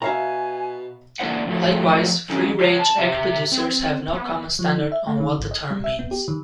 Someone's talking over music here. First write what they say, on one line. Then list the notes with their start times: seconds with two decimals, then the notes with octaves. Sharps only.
Likewise, free-range egg producers have no common standard on what the term means.
0.02 B2 E5 F5 G#5 A#5
1.20 E3 A#3 D4 D#4 C5 F#5
1.47 A2 F3 F#3 A3
2.30 E3 F#3 C#4
2.60 F4 C#5
2.79 A5
2.98 C3 G4 E5
3.52 C4
4.13 B3
4.59 F3
4.78 D#4
4.92 E5
5.07 A3
5.20 D#3
5.39 G#1
5.51 D#5
5.71 G3
5.84 E5
5.99 B3
6.11 G4
6.28 D#3